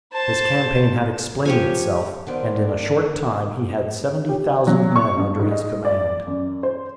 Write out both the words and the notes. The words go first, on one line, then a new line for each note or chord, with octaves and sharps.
His campaign had explained itself, and in a short time he had seventy thousand men under his command.
C5 A5
F3 G4 C#5 G#5
D#3 B3 C4 D4
G4
F#3
C#6
G2
G#2
D#5
D5
F#2
C5